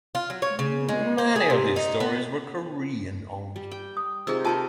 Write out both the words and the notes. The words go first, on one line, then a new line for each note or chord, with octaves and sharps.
Many of these stores were Korean owned.
F4
F#3
C#5
C#3
G#3
C5
G#4
C3
D#4
B3
G3
G5
D#6
C3 D#4 F4 G#4 E6
F4 A4 A#4 A5 D6